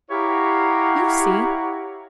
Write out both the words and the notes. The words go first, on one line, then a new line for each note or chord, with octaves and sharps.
You'll see.
E4 G4 C#5 F5 F#5 A#5